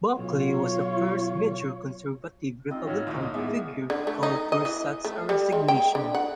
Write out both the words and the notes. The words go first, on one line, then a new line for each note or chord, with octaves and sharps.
Buckley was the first major conservative Republican figure to call for such a resignation.
B1 F4 C#5
C4 D#4 F4 D#5
A1 F#4 C#5 F6
D#2 A2 F4 D5 D#5
D#4 A4 D#5
A2 G3 G#3 A#3 B3 E5
D3
A3
D#4
D#5
E3
A3
G3
G#3
G5
D3
F#5